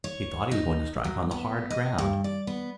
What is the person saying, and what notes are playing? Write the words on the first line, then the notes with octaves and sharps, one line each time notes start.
He thought he was going to strike on the hard ground.
C#5
D#4
F#3
B3
D#5
G2
D5
B3